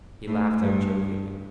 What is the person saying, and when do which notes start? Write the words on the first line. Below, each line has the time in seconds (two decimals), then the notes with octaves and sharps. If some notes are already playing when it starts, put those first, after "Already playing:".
He laughed out jovially.
0.27 A2
0.60 G2